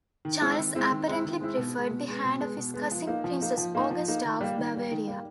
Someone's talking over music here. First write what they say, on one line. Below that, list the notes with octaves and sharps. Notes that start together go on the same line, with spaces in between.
Charles apparently preferred the hand of his cousin Princess Augusta of Bavaria.
D#3
G#3 C4 E4
D#3
G#3 C4 E4
D#3
G#3 C4 E4
D#3
G#3 C4 E4
B2
G#3 B3
B2
G#3 B3
B2
G#3 B3
B2
G#3 B3
F3
A#3 D#4
F3
A#3 D#4
F3
A#3 D#4
F3
A#3 D#4
D#3
G3 A#3
D#3
G3 A#3
D#3
G3 A#3